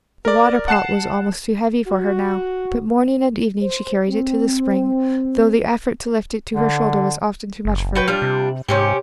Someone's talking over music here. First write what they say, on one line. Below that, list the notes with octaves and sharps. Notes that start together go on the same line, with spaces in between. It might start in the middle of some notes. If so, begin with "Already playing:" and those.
The water-pot was almost too heavy for her now, but morning and evening she carried it to the spring, though the effort to lift it to her shoulder was often too much for her.
A#4 D5
F#5 A5 F#6 C7 E7
F#4
C5
C4
D3
F#1
F#4 B4 G5
G3 D4 F4
C3
G#2 C3 C#4 G4